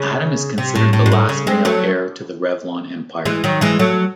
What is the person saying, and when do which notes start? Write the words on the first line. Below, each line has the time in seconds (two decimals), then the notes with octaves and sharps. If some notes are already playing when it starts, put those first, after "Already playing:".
Adam is considered the last male heir to the Revlon empire.
Already playing: C#3
0.58 C3
0.75 A2
0.93 A2
1.06 G#2
1.12 A2
1.29 C#3
1.47 G#3 C4
1.65 F#3 A3
3.25 E3 G#3
3.44 D#3 F#3
3.61 E3 G#3
3.79 F#3 A3